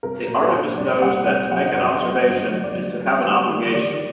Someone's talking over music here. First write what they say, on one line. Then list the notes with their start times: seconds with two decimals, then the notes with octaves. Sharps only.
The artivist knows that to make an observation is to have an obligation.
0.03 C2 A#4
0.28 A#2
0.40 A4
0.53 A#2
0.77 C2 D5
1.02 G3 F#5
1.27 C2 F#5
1.51 F#3 F#5
1.66 D#5
1.76 G2 D5
1.91 F#5
2.01 F#3 D#5
2.20 C5
2.26 G2 D5
2.51 F#3
2.64 D5
2.76 F#3
3.00 G3
3.25 G3
3.50 D#3
3.74 D#3 D5